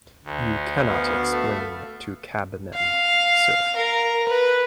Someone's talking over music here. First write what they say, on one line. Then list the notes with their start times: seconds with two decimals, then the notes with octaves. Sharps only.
You cannot explain to cabmen, sir.
0.25 D2
0.89 B3 F#4 F5
1.31 A3
2.74 F5
3.76 A#4
4.27 B4